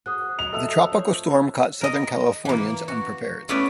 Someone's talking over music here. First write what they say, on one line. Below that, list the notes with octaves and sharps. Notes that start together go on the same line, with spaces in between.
The tropical storm caught Southern Californians unprepared.
F#4 G#4 C5 D#6 F#6
F#3 D#5 F7
A4 E5 E6
F3 C5 C#5
A#4 D#5
E3 A#3
F#4
A3 B3 C#4 E4 B4 D5